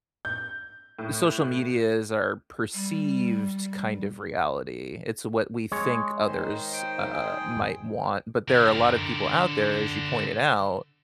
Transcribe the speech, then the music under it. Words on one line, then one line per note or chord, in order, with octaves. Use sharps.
social media is our perceived kind of reality. It's what we think others, uh, might want, but there are a lot of people out there, as you pointed out,
G6
A2
G3
G#3 C#5
D#3 C5
G5
G#4 G5
D3 A#4